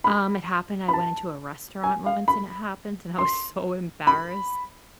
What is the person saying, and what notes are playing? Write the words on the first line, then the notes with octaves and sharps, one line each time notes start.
Um, it happened I went into a restaurant once, and it happened, and I was so embarrassed.
B5
B5
A5
G#5
F5
B5
C6
B5